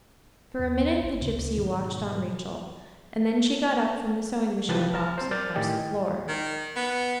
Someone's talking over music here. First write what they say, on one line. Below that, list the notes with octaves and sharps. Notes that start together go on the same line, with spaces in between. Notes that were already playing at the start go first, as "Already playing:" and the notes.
For a minute the gipsy watched Aunt Rachel, and then she got up from the sewing machine box and crossed the floor.
D#2
C6
G#1
D2 C#3
G#2 B2 D#3
C2 E3 F3 G4 B4 A5
A5 A#5 F6
C4 C5
A#4 D5 F6 G6 A6
A2 D#3 G4 D#5 G5 G#5
D#3
B3